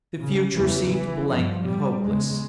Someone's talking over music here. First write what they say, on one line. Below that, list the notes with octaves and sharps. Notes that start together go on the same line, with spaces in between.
The future seemed blank and hopeless.
C#3
E2 C#3 E3
E3
G2 F3
G3
E2 C#3 G#3